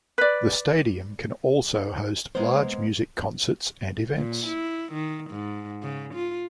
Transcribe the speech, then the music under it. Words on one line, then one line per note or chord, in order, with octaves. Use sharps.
The stadium can also host large music concerts and events.
B4 D5
G#3 A#3 B3 C5
A#2
E4
D#3
G#2
C#3
F4